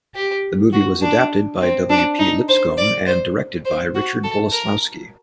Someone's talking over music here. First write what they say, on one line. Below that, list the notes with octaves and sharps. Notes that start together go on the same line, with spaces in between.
The movie was adapted by W. P. Lipscomb and directed by Richard Boleslawski.
G4
F#4
D4
C4
D4
D#4
C5
D5
C5
C5
F#4
A4
A#4